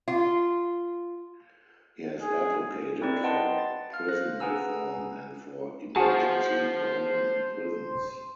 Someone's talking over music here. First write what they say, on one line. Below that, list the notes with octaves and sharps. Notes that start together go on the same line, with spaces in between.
He has advocated for prison reform and for emergency planning in prisons.
F4
G#4
C4 D#4 E4 A#4 D5
B4 D#5 F#5 G5 A5 C6
A6
F5 F6
C5 F#6 A#6
G#4 B4 F#5 G#5 A#5 E6
F#4 G#4 C5 A5